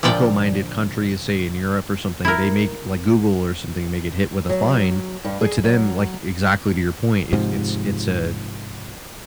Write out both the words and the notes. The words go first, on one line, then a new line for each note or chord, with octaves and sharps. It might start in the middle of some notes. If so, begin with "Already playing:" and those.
eco-minded countries, say, in Europe or something, they may g like, Google or something may get hit with a fine, but to them, like exactly to your point, it's it's it's a,
A#2 D3 F3 D5 G5
E4 A#4
F#3
G2
G#4
F#3
G#2 C3 F3